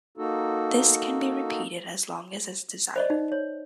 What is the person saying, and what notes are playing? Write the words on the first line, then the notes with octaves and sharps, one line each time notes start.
This can be repeated as long as is desired.
A#3 D#4 F#4 A4
C5 D5 D#5
D#4
C#5